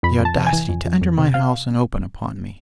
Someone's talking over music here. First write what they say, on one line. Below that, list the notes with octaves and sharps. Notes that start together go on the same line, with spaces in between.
The audacity to enter my house, and open upon me!
F2 B5
F2
A5
C3
G#5
E3
F2
F2
F2
C3
C3 F5